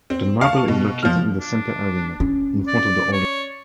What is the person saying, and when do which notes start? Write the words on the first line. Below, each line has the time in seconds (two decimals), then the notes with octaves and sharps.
The marble is located in the center arena in front of the old entrance.
0.10 C4
0.41 F5 A5 C#6
0.68 B2
1.03 F3 F6
1.38 D4
2.20 C#4
2.67 D5
3.12 C#5